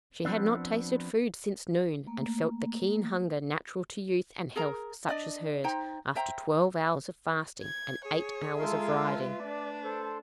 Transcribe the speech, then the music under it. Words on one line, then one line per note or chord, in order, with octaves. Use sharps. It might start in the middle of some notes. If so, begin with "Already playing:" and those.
She had not tasted food since noon, and felt the keen hunger natural to youth and health such as hers, after twelve hours of fasting and eight hours of riding.
F3 B3 C4 D4
A3 A#3
G#4 A#4 A#5
D4 D5 D#5
D#4 C5 G5 A#5
C5 E5 G5 A#5
G#6
G#4 C#5
G#3 F4 A4 A#4 E5 C6
B4
A3 D4 D5
A4 C5